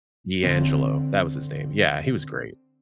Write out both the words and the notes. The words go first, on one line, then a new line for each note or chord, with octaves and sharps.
D'Angelo, that was his name, yeah, he was great.
D3 C4